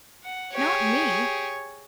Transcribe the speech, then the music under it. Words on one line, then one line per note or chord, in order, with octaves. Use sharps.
Not me!
F#5
G4 G#4 C#5